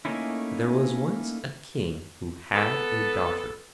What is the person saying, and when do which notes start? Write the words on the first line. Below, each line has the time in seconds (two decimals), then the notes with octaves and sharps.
There was once a King who had a Daughter.
0.05 A3 A#3 C#4 D#4 E4
2.55 B3 A4